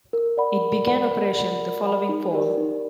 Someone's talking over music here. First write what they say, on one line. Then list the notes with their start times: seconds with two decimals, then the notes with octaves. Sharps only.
It began operation the following Fall.
0.13 A#4
0.37 D5 F#5 B5
0.62 A#4
0.87 D5 F#5 B5
1.11 A#4
1.36 D5 F#5 B5
1.60 A#4
1.85 D5 F#5 B5
2.09 D#4
2.33 G4 A#4 D5
2.58 D#4